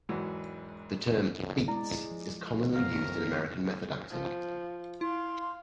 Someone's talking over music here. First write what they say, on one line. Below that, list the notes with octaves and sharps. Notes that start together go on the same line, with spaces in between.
The term "beats" is commonly used in American method acting.
E1 G#2 E3 F#3 F#4
G#3 E4 D5
F3
F#2 C4 F#4 A#4 F5
F3
E4 F5 C6